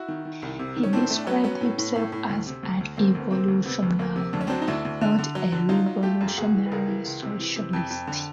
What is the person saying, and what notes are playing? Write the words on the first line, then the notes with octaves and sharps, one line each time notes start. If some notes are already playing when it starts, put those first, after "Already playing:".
He described himself as an evolutionary, not a revolutionary, socialist.
Already playing: E4 F#4
D#3
D#3
C2
C3
D#3
C#4
A2 C4 D4
A3
D4
F#3 B3 C#4
F#3 B3 C#4
A2
A2
A2
A2
D2
C3
D2
D2
D2 A#3 C4
D2
B3
C3 A#3 C4
D2
C3 B3
D2
D2 A#3
C3
D2 D4
C#4
F#3 C4 D4
D#4
D2 D4 E4
D2
D3
D3
F#3
D3
F#3 D#4 F4
F#3
A3 F4 G4
F#2
G4
C#2 F#4 G#4
E3
B4
C#2 G#4 A#4
E3
C#2
C3
E3
C3
F2
F2
D3